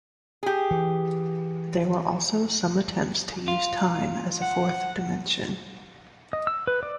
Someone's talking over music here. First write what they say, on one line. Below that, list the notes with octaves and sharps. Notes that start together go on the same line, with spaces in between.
There were also some attempts to use time as a fourth dimension.
G4 G#4
E3
F4
F#5
D#5
E6
B4
D5